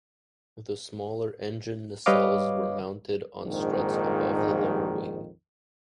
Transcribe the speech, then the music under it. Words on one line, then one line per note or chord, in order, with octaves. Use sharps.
The smaller engine nacelles were mounted on struts above the lower wing.
G3 B4 C#5 D#5 F5 D6
A#1 F2 G#2 D#3